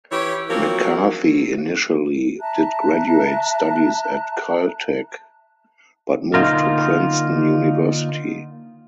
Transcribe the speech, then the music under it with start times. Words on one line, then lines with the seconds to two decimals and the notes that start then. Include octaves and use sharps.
McCarthy initially did graduate studies at Caltech, but moved to Princeton University.
0.11 E3 E4 G4 C#5
0.50 F3 F#3 A#3 C4 A#4 C#5
2.40 E5 A5 A#5 F#6
6.34 D3 A#3 C#4 D#4 F4 A#4